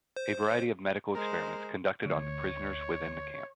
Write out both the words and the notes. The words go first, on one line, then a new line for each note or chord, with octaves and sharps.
A variety of medical experiments conducted on the prisoners within the camp.
C5
G#3 A#4 C5
D2 C#5